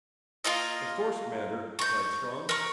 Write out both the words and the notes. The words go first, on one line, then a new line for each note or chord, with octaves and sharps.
"Of course, Commander," replied Strong.
A#3 F4 A#4 D#5
C#6 G6
A#4 C#6